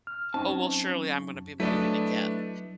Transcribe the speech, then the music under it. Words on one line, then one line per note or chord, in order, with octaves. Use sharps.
"Oh, well surely I'm gonna be moving again,"
F6
F#2 C4 C#4 D#4 A5
F#3 A3 D4 E4 B4 D#5